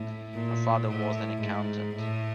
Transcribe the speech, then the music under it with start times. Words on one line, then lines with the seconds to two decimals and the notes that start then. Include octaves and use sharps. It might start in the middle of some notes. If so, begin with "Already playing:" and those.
Her father was an accountant.
Already playing: A2
0.34 A#2
0.89 A2
1.42 G#2
1.96 A2